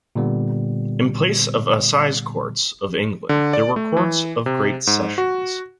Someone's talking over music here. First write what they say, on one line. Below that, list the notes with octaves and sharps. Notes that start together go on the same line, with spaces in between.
In place of assize courts of England, there were Courts of Great Sessions.
A#2 D3 G3 B3
D3
D5
A3
E3
C3
G#2
F#4